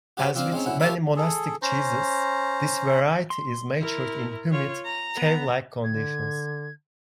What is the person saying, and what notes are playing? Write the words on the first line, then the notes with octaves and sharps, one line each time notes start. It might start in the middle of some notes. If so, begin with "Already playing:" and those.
As with many monastic cheeses, this variety is matured in humid cave-like conditions.
F#4 G4 B4 C5
F3 C4 D4 F5
G#3 C4 C#4 D#4
B1 D3 C#4 E4 F#4
F4 G4 A#4 C#5 E5 B5
G#4 A4
C#4 C5 A#5
C6
E4 A#4
F4 C#5
A#5
B3
D3 G#6